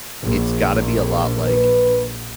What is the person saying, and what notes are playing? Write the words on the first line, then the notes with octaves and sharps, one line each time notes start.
it's gotta be a lot like
A#1
B4